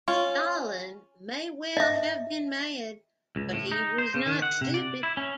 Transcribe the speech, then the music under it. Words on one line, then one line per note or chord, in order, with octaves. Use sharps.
Stalin may well have been mad but he was not stupid.
C#4 F4
D#5 E5
C#2
A2
D#4
C5
C#3
D#3
F#5
C3
D5
E4
C#4